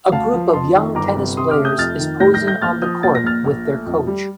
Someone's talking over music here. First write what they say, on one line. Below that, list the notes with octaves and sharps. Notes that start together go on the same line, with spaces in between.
A group of young tennis players is posing on the court with their coach.
D2 F5 A5
F3
F2 A5 C6
D#3
G1 A#5 D6
C3
C3 C6 D#6
D6 F6
A3
D#6 G6
F2 F6 A6
D#3
A2 G6 A#6
G6 A#6
A3
G6 A#6
A#1 F6 A6
F3 D#6 G6
A#2 A6
A#6
A#1 F6 A6
A#1
A3
F2
G3